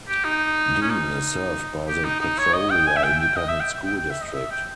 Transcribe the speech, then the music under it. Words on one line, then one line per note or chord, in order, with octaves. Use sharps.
Dean is served by the Petrolia Independent School District.
G4
D#4
C#4
D#4
G4
D#4
D#4
C#5
D#5
G5
G#5
E5
G5
G5
D#5
E5
G5
G5
G5
E5
D#5
E5
G5